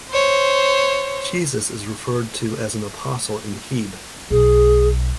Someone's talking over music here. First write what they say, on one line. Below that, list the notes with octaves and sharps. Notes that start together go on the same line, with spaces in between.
Jesus is referred to as an apostle in Heb.
C5 C#5
B1 G#4